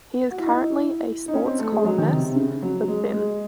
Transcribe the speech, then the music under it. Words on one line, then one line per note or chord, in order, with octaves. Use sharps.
He is currently a sports columnist with them.
F#4
E4
D#4
E4
D#4
C#4
C4
A3
G#3
F#3
D#3
C3
C3
C#3
F#3
G#3
G#3